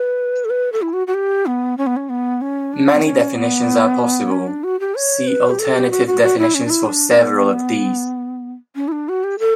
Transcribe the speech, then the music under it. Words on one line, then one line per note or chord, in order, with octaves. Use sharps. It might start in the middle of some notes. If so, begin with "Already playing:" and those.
Many definitions are possible; see Alternative definitions for several of these.
Already playing: B4
A4
B4
A4
E4
F#4
F#4
G4
B3
C#4
B3
C#4
B3
C#4
D4
B3
C#4
B3
C#4
D4
F#4
G4
C#5
B4
G4
A4
G4
F#4
F#4
F#4
E4
C#4
D4
E4
D4
B3
C#4
E4
D4
F#4
G4
A4